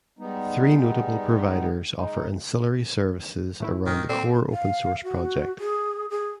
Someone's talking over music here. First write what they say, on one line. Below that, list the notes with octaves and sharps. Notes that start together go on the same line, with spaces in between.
Three notable providers offer ancillary services around the core open source project.
G3 G#3 B3 D#4
G#3 D#4
A2 A3 E4
A#2 D#3
A#2 C4 A4 D5
F5
F#4
G#4
G#4